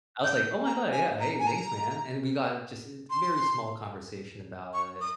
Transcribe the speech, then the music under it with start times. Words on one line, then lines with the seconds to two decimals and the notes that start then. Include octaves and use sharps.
I was like, "Oh my god, yeah, hey, thanks, man," and we got just in t very small conversation about it,
0.24 G6
0.65 A#5
0.92 G#5
1.20 A#5
1.40 G#5
1.47 A#5
3.10 C6
4.74 C#6
5.01 D#6